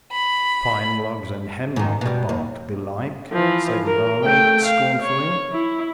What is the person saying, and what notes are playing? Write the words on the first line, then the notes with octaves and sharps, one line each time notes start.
"Pine logs and hemlock bark, belike," said Raleigh, scornfully.
B5
G#2 D#3
B2 G3
D#2
E3 F3
A#4
A3 G5
F5
C#5
E4